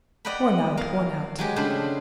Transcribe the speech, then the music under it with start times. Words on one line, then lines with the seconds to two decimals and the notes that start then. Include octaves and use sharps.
"Worn out! worn out!"
0.25 D5 D#5 F#5 G5 A#5 B5
0.77 A#4 F5
1.38 F#3 G#3 G4
1.56 C#3 A3 D4 G4 C5 B5